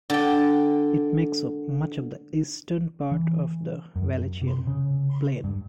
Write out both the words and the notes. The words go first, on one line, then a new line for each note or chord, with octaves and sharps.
It makes up much of the eastern part of the Wallachian Plain.
D3 G5
E3
F#2
C3
C#3
G2